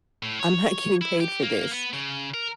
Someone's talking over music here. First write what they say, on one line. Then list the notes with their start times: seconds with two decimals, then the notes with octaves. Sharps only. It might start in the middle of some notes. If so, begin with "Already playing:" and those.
I'm not getting paid for this,
0.23 A2
0.40 C#5
1.02 E4
1.20 G4
1.43 A#3
1.72 B3
1.93 C#3
2.34 A#4